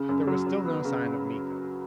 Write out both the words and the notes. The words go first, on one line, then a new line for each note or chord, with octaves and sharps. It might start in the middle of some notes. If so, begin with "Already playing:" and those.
There was still no sign of Miko.
Already playing: C#3
F#2
F#3
F#2
B3
C#3